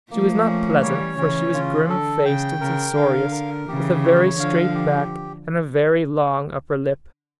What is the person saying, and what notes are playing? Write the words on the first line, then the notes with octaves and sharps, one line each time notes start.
She was not pleasant, for she was grim-faced and censorious, with a very straight back, and a very long upper lip.
F3 A3 A#3
C#4
E3 G3 C#5
C#3 E3 C#4
C#3 F4
D3 A4
C#3 G5
C#3 A#4
D3 F5
A#4
C#3 E3 G4
C#5
D3 F3 F5
G4